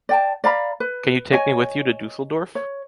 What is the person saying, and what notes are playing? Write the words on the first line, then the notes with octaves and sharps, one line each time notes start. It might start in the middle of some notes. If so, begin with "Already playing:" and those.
Can you take me with you to Düsseldorf?
D5 G5 A5
D5 F5 A#5 B5
B4
C#5 D#5 G#5
C#5